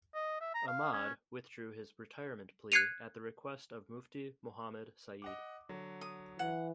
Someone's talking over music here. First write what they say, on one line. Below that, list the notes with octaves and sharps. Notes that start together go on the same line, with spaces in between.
Ahmad withdrew his retirement plea at the request of Mufti Mohammad Sayeed.
D#5
E5
A#5
F5
C#4
F#6 G#6 C7 C#7 D#7 F7
D#5 F#5 D6
D3 F#3
D#6
E3 F#5